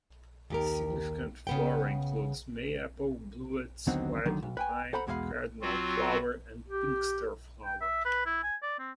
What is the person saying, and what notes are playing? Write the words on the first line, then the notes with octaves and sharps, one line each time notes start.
Significant flora includes mayapple, bluets, wild lupine, cardinal flower, and pinxter flower.
D#2 G4 A#4
C#3 B3 G5
D#2 D3 F#3 B3 C4 D#4
D3 D#3 F#3
B1
B4 G5 G#5
A4 C5 F#5 A#5 B5
E2 B2 G#3 E4 F5 B5
F#3 C4 F4 F#4
G4
G5
E5
B4
E4
G#5
D5
C4